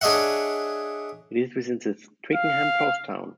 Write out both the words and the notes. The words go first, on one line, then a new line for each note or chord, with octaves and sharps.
It is within the Twickenham post town.
D4 G#4 C#5 D#5 E5 F#5
F5